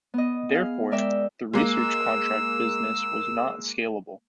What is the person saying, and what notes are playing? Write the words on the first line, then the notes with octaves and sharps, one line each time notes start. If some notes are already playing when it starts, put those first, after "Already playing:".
Therefore, the research contract business was not scalable.
B3 D#5
G#4 F5
G#3 A#4 D5 E5 G5
G#3 A#3 E6